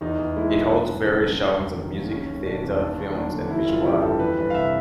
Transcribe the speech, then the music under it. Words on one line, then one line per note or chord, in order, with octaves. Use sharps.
It holds various showings of music, theatre, films and visual art.
E2 D#4
E2
G#3 E4
B2
F#3 D4
G1
C#3
F#2
F#3
F1
D#3
D#2
F#1 C#4
F#1
B2 D4
E2
D#2 D4
D#2
F#3 D4
D3
E3 E4
G1 F4
C#3 G4
F2 A4
E3 B4
G1 B4
F5
C3 E5